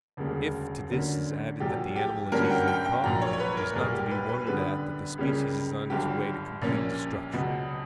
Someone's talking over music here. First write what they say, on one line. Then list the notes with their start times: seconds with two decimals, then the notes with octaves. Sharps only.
If to this is added that the animal is easily caught, it is not to be wondered at that the species is on its way to complete destruction.
0.17 E1 D2 C#3 G3 A#3
0.89 D2 D3 F#3 A#3 C#4
1.60 A#1 A#2 F#3 G4
1.96 G4
2.32 G1 G2 F#3 A#3 C#4 A#4
2.45 F#5
2.50 G5
2.68 G5
2.86 G5
3.04 A#1 A#2 F#3 A#5
3.22 C#5
3.33 C#5
3.40 B4
3.57 A#4
3.75 B1 A#2 G3 A#3 A#4
3.93 G4
4.11 B4
4.29 B4
4.47 F#2 D3 G3 B3 B4
5.18 C#2 C#3 G3 A#3 C#4
5.90 G1 G2 F#3 G4
6.62 A#1 A#2 A#3 C#4
7.33 C#2 B2 F#3 B3